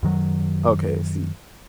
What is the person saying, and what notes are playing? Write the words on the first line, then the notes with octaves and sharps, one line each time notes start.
Okay, I see.
F#2 D#3 F#3